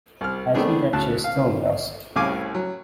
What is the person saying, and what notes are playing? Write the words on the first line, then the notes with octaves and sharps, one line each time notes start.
I see that she is still with us.
C2 F6
D#3 A3 B3 C4 D4 G#4
D2 C#3 A5 F#6
F5
C2 A2 C#3 F5 G#5 D6
F#3